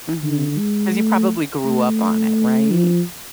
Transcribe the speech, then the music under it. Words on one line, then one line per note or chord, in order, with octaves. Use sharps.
Mhm. 'Cause you probably grew up on it, right?
D3
G#3
A3
A3
F3